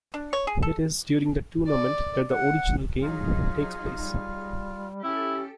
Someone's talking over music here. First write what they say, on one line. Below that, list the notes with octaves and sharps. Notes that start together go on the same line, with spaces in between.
It is during the tournament that the original game takes place.
D4
C#5
G#4
A4
D5
F#5
F#3 D#4 F4 G#4
G3
C#4 E4 G4 A4